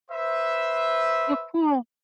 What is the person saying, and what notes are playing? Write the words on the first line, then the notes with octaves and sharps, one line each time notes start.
Oh, cool.
B4 C5 E5